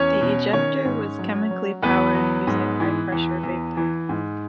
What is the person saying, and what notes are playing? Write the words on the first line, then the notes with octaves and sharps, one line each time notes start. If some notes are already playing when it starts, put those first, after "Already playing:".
The ejector was chemically powered using high pressure vapour.
Already playing: E2 C#4 C#5
B2
D#3 C#4 C#5
G#2
F#3
F#3
E2 B3 B4
F#3
G#2
E3
E2
E2
E3
G#2